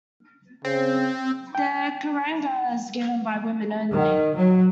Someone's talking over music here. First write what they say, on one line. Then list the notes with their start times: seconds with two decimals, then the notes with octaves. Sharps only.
The karanga is given by women only.
0.65 C#3 C4
1.55 G5
3.91 D#3
4.38 F#3